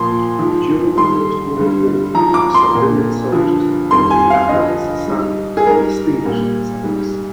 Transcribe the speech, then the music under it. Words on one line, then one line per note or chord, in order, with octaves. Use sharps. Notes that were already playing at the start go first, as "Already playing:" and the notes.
During the First World War, the Sardinian soldiers of the Brigata Sassari distinguished themselves.
Already playing: A#2 F3 C6
G#2 F3
G#2 D#3 G3 C6
G2 D3 G3
G#2 F3 A#5
D6
C6
A#2 F3
G2 D3 F3
F2 D#3 G3 C6
G#5
F5
G2 D3 F3 D#5
G#2 G3
G#4
G#2 G3 A#4
A#2 G3
G#2 G3